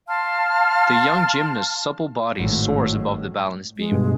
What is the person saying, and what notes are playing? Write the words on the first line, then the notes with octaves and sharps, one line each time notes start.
The young gymnast 's supple body soars above the balance beam.
F5 A5 C6 F6
G#1 A2
G#3
G2 B2